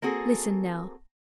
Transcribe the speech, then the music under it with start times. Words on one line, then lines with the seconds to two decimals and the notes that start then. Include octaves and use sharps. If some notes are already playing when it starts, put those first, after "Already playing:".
Listen now.
0.02 A#3 C4 F#4 G#4 A4